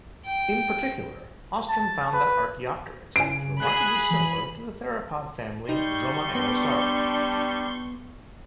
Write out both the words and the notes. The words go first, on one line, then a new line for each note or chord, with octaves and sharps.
In particular, Ostrom found that "Archaeopteryx" was remarkably similar to the theropod family Dromaeosauridae.
G5
A5
B4
C#3 G#5 D7
G#4 B5 F#6
E3
G3 D#4 C6 C#6 G6
B3 D4